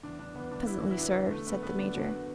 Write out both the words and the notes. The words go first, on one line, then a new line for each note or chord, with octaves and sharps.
"Presently, sir," said the Major.
E2 D4
E2 D4
E2 B3
E2 D4
E3 E4
E3 F#4
E4
E3 D4
E2
D3 A3
D3 B3
F#2 B3
D3 D4
D3 F#4